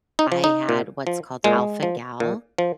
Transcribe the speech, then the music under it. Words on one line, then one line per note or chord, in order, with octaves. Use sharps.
I had what's called alpha-gal.
D#4
F3
D#4
A#2
F3
A#2 G#3
F3
A#2
F3